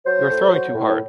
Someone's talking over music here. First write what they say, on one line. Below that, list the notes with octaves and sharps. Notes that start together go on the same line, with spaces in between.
You are throwing too hard!
F#3 C5
A2
F#3
A2